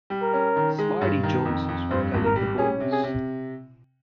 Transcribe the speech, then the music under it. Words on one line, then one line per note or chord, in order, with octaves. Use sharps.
Smarty Jones's would collect the bonus.
G3
A#4
C#4
D#3
G#3
G2
D#3
F2
F2
G2 C5
G#1
A#4
G3
C#4 G#4
C3
G#4
C3